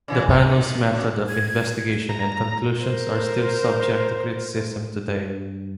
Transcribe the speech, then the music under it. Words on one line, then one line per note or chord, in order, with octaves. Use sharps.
The panel's method of investigation and conclusions are still subject to criticism today.
C#3 E3 G#3
B3
D#2 D#3
C#3 F#4
G#6
A#5
A#4 C5
G2